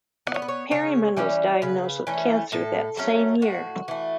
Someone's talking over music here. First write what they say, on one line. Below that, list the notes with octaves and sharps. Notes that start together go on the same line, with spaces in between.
Perryman was diagnosed with cancer that same year.
B3 D5
C#5
B4
C#5
C#3 C#5
E3 G3 C#4
C#3 B4
E3 A3 C#4
A2 A4
F#3 A3 C#4
A2 F#4
E3 A3